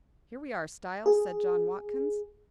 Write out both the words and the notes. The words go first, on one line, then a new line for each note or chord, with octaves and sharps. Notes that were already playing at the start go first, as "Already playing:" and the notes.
"Here we are, Styles," said John Watkins.
G#4